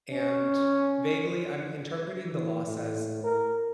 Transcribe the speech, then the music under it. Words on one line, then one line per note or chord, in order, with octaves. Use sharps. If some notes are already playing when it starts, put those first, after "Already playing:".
And vaguely, I'm interpreting the loss as
C#4
E3
A2
A#4